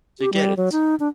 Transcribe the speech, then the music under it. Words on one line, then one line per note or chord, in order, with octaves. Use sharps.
Do you get it?
G4
G3
F#3
D#4
D4